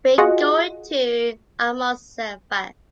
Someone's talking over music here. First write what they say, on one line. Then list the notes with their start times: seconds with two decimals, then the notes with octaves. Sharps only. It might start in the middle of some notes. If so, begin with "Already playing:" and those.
We’re going to Almussafes.
0.18 F4 F#4 G#4 D#5 F#5